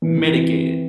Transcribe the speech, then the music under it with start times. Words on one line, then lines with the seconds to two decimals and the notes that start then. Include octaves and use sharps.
mitigate it
0.02 E3
0.18 E3
0.35 C4